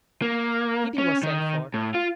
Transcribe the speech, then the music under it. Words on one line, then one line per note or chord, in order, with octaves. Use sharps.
Kitty was sent for.
A#3
C#4
D#3
A2
F4